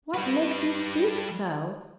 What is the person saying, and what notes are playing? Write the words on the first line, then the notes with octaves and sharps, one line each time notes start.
What makes you speak so?
G3 B4